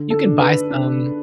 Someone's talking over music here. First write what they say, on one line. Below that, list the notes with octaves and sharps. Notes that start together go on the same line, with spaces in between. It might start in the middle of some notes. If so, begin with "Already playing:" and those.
you can buy some
Already playing: D3
A4
D4
B4
D4